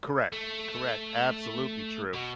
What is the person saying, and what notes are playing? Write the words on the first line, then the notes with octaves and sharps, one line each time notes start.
Correct, correct, absolutely true.
A3
B2